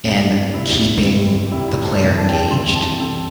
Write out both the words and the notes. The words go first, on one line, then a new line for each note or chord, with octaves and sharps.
in keeping the player engaged,
C2 C3 G3
D4
C2 C3 G3 E4
C2 C3 G3
G4
C2 C3 G3 E4
E4
A4
C2 C3 E3 D5
A5
G5
A5
C2 C3 E3 C6
A5
C2 C3 E3 A4